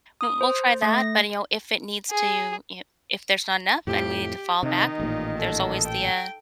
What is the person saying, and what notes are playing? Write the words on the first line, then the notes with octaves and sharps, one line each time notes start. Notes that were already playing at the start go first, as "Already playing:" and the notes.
w we'll try that. But, you know, if it needs to you i if there's not enough and we need to fall back, um, there's always the, uh,
D#6
C5
A3
A#6
G#4
F2 A2 F3 G4
C3 D#3 D#4
A1 A#2
A4
G5